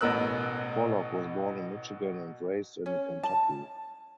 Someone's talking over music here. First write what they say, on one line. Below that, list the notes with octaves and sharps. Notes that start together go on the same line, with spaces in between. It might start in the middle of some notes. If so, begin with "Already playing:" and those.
Pollock was born in Michigan and raised in Kentucky.
A1 B2 B3 A#4 E6 F#6
C#4
A5